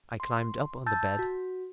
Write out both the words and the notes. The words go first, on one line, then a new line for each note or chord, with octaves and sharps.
I climbed up on the bed.
C6
A5 E6 G6 A6
F#4